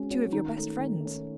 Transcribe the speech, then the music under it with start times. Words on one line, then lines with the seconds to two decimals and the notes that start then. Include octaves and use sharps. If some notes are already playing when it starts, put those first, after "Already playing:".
"Two of your best friends."
Already playing: G#3 C4 C#4 F#4 C#5
0.10 C4 F#4 C#5
0.33 D#3 D#4
0.56 A3 C#4
0.79 D#3
1.01 A3 C#4